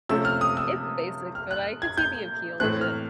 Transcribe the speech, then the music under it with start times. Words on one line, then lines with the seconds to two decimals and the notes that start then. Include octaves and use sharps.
It's basic, but I could see the appeal of it.
0.09 C3 F3 A3 C#4 E6
0.25 F6
0.41 D#6
0.57 E6
1.35 F6
1.51 F#6
1.82 G#6
1.97 G6
2.60 A2 E3 A3 C4 F#6
2.81 F6